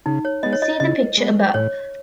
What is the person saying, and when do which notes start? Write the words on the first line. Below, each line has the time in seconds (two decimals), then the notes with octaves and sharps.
See the picture above.
0.06 C#3 D#4
0.25 C#5
0.43 G#3 B3 D#5
0.53 C#5
0.62 D#5
0.80 C#3 D#5
1.17 G#3 B3
1.54 A2 C#5